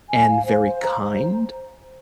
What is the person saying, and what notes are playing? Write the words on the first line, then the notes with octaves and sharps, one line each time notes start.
and very kind,
G#5
F5
C5
C5
A#5
C5